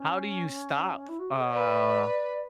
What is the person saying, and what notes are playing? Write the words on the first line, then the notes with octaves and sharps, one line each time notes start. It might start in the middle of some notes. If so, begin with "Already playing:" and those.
How do you stop, uh,
Already playing: C#4
E4
F#4
G#4
C#5
B4 D5